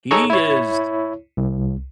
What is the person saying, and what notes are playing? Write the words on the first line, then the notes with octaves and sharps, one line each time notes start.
he is
D#4 G#4 A4 C#5 A#5 C#6
E4 C#5
C2